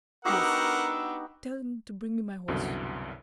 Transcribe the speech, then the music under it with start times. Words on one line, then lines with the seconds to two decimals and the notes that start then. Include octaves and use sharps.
"Yes, tell them to bring me my horse."
0.25 B3 D4 D#4 F#4 G4 A#4 F#5 E6
2.48 C2 F#2 B2 D3